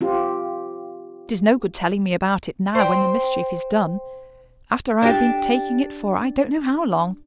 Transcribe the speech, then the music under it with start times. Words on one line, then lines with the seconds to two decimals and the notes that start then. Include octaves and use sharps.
It is no good telling me about it now, when the mischief is done,--after I have been taking it for I don't know how long.
0.01 C4 F4 G4
2.75 C5 G5
5.02 D4 G4